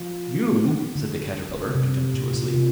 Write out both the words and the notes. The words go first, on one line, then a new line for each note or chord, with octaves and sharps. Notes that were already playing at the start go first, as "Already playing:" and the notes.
'You!' said the Caterpillar contemptuously.
Already playing: F3
D3
C3
A#2
A#2
C3